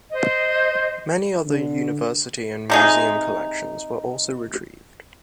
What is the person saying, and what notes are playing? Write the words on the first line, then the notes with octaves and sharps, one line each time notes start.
Many other university and museum collections were also retrieved.
C5 D#5
D3
C3 D#4 G#4